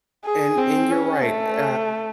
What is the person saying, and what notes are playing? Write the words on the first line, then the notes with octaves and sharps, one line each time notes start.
and and you're right, eh, uh,
G#4
C4
C#4
A3